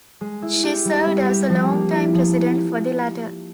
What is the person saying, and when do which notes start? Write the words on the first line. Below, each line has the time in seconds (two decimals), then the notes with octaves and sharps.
She served as a longtime president for the latter.
0.21 G#3
0.42 E4
0.64 G4
0.85 G3
1.06 C4
1.29 G4
1.49 F3
1.71 A#3
1.92 E4
2.14 F3